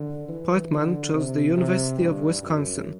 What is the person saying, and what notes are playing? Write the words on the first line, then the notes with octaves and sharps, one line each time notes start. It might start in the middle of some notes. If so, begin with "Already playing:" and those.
Portmann chose the University of Wisconsin.
Already playing: D3
E3
D3
C3
C3
G2
F#2